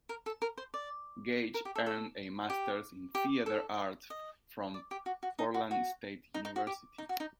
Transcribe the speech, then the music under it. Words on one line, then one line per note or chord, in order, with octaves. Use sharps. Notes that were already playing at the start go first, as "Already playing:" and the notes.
Gage earned a masters in theater arts from Portland State University.
A#4
A4
A#4
C5
D5
A#4
G4
A4
A4
G4
G4
A4
D#5
D5
G4
F#4
F#4
D#4
F#4
F#4
D#4
D#4
F#4
G4
D#4
F#4
D#4